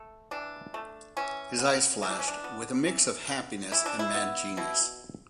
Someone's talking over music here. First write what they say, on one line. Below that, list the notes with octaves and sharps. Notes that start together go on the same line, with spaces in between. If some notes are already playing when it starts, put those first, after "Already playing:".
His eyes flashed with a mix of happiness and mad genius.
Already playing: A3
E3 D4
A3
E3 C#4
B3
E3 E4
D4
C#4
D4
B3
E3
B3
E3 E4
D4
E4
B3
B2 E4